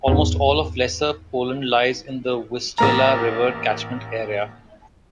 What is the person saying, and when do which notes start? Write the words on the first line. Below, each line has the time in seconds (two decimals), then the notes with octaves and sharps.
Almost all of Lesser Poland lies in the Vistula River catchment area.
0.08 E2 G#2
2.78 A1 A#3 A#5